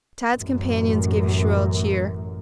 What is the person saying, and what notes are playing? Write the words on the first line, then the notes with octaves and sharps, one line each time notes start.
Tad's companions gave a shrill cheer.
A1 F#2